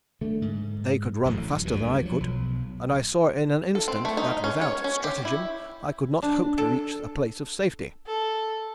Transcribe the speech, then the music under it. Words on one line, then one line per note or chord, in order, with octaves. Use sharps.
They could run faster than I could, and I saw in an instant that without stratagem I could not hope to reach a place of safety.
D3 A3
G#2
A1 F#2 A2 C3
D2 G2
F3 F#3
B1
A4
C4
A3
D#4
C#4
C#5
C#4
G4
E4
D4
A4
A4